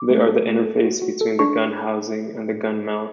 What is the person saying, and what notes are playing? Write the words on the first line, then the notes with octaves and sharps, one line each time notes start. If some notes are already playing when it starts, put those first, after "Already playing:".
They are the interface between the gun housing and the gun mount.
Already playing: D6
A3
A4
A3
A4
F#4
F#4
A4
D4 C#6